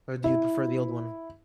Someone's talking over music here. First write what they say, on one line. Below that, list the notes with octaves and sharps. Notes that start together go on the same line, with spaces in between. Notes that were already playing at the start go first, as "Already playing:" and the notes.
Or do you prefer the old one?
E4